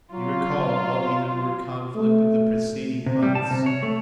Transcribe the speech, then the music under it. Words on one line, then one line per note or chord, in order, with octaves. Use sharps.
He recalled all the inward conflict of the preceding months.
F#3 F4
A3
C3
G3
A5
C3
C#5
A3